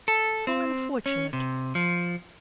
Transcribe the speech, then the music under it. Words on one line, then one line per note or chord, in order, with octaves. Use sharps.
How unfortunate!
A4
C4
C#4
C3
F3